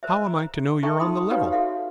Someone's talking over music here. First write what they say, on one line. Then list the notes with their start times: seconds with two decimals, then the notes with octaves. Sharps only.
"How am I to know you're on the level?"
0.03 A#4 C5 E5
0.27 A#5
0.83 D#4 A4 E5 G5 A#5 C#6
1.00 D#4 B5 C6 D#6
1.31 D#4 F#4 G4 B4 C#5 F5
1.52 F#4 A4 E5 F5